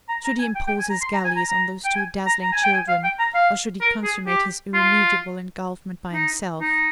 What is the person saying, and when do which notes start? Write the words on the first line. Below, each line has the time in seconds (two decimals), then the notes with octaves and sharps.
Should he impose his galleys on those two dazzling children, or should he consummate his irremediable engulfment by himself?
0.09 A#5
0.24 A#5
0.39 G#5
0.55 G5
0.67 G5
0.79 G#5
0.90 A#5
1.01 C6
1.13 A#5
1.25 G#5
1.36 A#5
1.48 A#5
1.85 G5
1.95 G#5
2.26 A#5
2.42 A#5
2.52 G#5
2.63 G5
2.73 G#5
2.88 F5
3.04 G5
3.19 A#5
3.35 F5
3.81 A#4
4.04 G#4
4.27 G4
4.74 F4
6.13 D#4
6.60 D#4